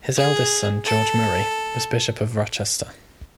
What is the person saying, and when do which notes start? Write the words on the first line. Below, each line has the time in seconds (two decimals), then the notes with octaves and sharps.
His eldest son George Murray was Bishop of Rochester.
0.16 G#4
0.85 A4